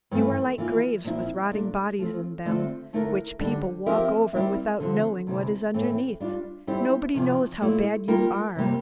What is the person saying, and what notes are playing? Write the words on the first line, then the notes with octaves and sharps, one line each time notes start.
You are like graves with rotting bodies in them, which people walk over without knowing what is underneath. Nobody knows how bad you are.
G2 E3 A3
E3 A#3 F4
A#2 F3 C4 E4
A#2 A3 D4
F3 A3 C4
D3 A3 C4 F4 C5
D3 A3 E4 A#4
D3 G3 D4
F3 C4 G4 A#4 E5
G3 C4 E4 A#4 E5
D3 F3 C4
D2 C3 E3
A2 E3 A3 C4
G3 D4 F4
G3 C4 E4 G4 C5
E2 C3 F3
A#2 A3 E4
G3 A#3 F4 A#4
F2 C3 G3 A#3